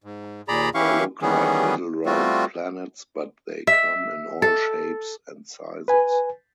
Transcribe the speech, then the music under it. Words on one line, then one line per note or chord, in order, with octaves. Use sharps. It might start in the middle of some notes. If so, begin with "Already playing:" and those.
They look like little round planets but they come in all shapes and sizes.
G#2
D#2 A#2 G#4 D5 A#5 B5
E3 C#4 E4 G4 F5 C#6
D#3 E3 G3 B3 C#4 G#4
G3 A3 C4 F4 F#4
E5
A4
B4 G#5